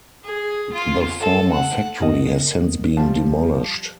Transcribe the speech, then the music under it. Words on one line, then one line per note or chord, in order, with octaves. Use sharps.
The former factory has since been demolished.
G#4
F4
A4
F#5
F#2 B3 A#4 D#5
F3 G3 D4 A5